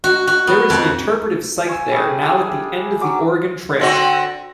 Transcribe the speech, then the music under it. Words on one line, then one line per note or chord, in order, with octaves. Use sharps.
There is an interpretive site there now at The End of The Oregon Trail.
F#4
F#4
B3
F2
G#5 C#6 E6
G3 A3 G#4
G3 D4 G#4
F#3 D6
D3 C4 F#4